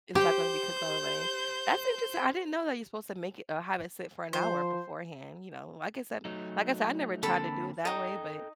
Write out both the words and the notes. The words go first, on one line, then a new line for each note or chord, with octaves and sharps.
It's not gonna be cooked all the way. That's interesting. I didn't know that you're supposed to make it uh, have it sit for an hour beforehand, you know, like I said like I said, I never tried to do it that way, but
G4 C5 G6
F3 C5
F#3 A3 D#4
D3 A#3 C4 A4 B5
D#4 A4 D#5 G5 A#5